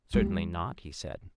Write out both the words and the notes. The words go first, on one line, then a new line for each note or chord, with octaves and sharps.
Certainly not, he said.
G3